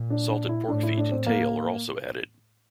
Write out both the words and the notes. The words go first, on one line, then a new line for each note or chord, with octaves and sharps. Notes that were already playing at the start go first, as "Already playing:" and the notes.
Salted pork feet and tail are also added.
Already playing: A#2
D4
D4
E4
A2 D4
E4
D4
C4
A#3